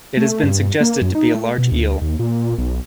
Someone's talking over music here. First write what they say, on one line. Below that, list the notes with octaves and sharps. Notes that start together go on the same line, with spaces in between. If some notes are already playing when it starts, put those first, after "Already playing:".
It has been suggested to be a large eel.
A3
G2
A#3
F#2
D#4
A3
B2
D2
D#2
A#2
B1